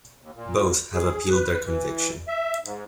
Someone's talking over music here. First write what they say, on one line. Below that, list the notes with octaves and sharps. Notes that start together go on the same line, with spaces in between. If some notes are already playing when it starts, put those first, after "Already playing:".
Both have appealed their conviction.
D#2
A#2
G#4
B4
E3
E5
G#2